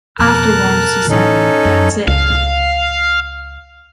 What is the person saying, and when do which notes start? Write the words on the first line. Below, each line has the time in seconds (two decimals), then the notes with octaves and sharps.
Afterwards he said, that's it.
0.19 F2 B2 A#4 A5 F#6
1.10 A2 E3 C#4 D#4 A4
1.65 F#2
2.08 C#2 F5